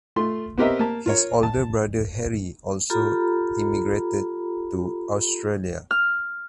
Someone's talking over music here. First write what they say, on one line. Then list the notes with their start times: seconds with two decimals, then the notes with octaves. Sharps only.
His older brother Harry also emigrated to Australia.
0.16 A3 F4 C6
0.58 B3 C4 G4 A#4 D#5 E5
0.79 A#3 A5
1.06 F4 A#4 C#5
1.43 A5
2.90 F4 G4 A4 A#5 B5
5.91 F6